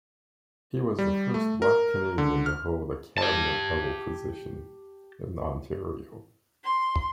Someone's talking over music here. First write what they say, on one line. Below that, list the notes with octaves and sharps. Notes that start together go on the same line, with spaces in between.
He was the first Black Canadian to hold a cabinet-level position in Ontario.
G3
A3
A#4
D3
F6
G4 A5
C6